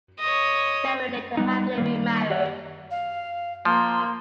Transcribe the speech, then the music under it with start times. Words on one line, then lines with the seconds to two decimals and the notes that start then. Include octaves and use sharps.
Steinway later happily remarried.
0.19 C#5 D#5
1.37 G3 B3 D#4
1.78 D#3 G3 A#3
2.30 G4 C#5 D5 E5 F#5
2.91 F5
3.65 F3 A#3 C6